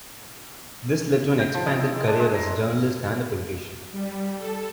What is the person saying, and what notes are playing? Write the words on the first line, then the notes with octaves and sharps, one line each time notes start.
This led to an expanded career as a journalist and politician.
G5
F3
D#5
E4
G#3
D4
G#3
A#5
G3
A4